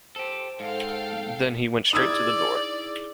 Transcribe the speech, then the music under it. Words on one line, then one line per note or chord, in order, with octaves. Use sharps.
Then he went straight to the door.
G4 A4 C5
G#2 A4 F5 G5
D#4 E4 G#4 D5 D#6 E6 G#6